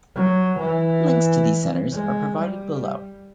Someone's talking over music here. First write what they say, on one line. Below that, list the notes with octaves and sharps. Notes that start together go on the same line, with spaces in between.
Links to these centres are provided below.
F#3
E3
G#3
G3